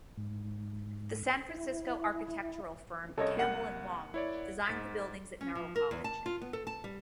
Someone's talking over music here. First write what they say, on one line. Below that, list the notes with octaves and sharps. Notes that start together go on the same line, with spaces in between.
The San Francisco architectural firm Campbell and Wong designed the buildings at Merrill College.
G#2
E4
C2 A4 C#5 D#5
A#3 F#5
E4 C#5 D5
G#2 A6 B6
C#4
F3
A#4
E2
A5
F4
B3
A4
A5
G3